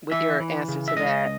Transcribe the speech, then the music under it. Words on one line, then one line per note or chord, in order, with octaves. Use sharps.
with your answers to that.
E3 E5
E3
C#3
E5
C#2 D#5